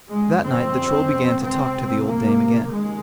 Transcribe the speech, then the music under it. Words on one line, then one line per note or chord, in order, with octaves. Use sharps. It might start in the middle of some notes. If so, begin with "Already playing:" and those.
That night the Troll began to talk to the old dame again.
G1 F2 C#3 G#3
C4
C#2 C3 C4
A#3
F1 D#2 C#3 G#3